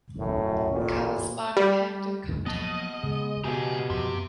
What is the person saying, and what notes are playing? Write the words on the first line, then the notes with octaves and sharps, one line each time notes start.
It covers part of Hampden County.
F#2 A2
A1 A#2
G3
F3 F#3 A#3 B3 D#5 A5
C#3 G#3
G#2 B2 G4 G#4 E5 A5
F#2 C3 F3